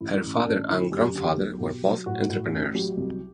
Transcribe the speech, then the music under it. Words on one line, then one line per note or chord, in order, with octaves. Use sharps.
Her father and grandfather were both entrepreneurs.
A1 E4
A1
D4
A1
D3 E4
F#2 G4
D3 G4
B1
B2
F#3
A2 F#4
A2
A1
F#3 G4
C2